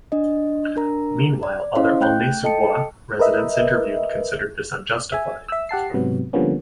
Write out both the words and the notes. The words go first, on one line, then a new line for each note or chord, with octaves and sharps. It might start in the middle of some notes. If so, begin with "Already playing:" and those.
Meanwhile, other Aulnay-sous-Bois residents interviewed considered this unjustified.
D4 D#5
D4 A#4 A#5
D5
C#4 E4 C5 D#5 F5 C6
A3 G5 F#6 G6
A4 D#5 G5 A5 C#7
A#4 B4 D#5 E5
E5 G#5
E5 E6
G4 F#5 A5 C7
G#2 C3 F#3 B3
D3 F3 G3 A#3 B3 C#4